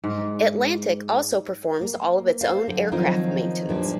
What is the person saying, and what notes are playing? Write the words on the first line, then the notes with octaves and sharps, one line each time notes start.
Atlantic also performs all of its own aircraft maintenance.
G#2
A#3
C5 F5
D3 F#3
D#3 F3 F#3 C4 D#4 F4
E2 A#2 F3 G3 G#3 D4